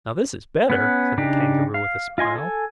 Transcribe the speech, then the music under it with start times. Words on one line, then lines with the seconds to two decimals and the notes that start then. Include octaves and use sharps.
"Now this is better!" said the Kangaroo, with a smile.
0.70 B3 C#4 F#6
1.18 C#3 D4 D#4 G4
1.74 F5
2.18 F4 D#5 G#5 C6
2.36 A4 G#5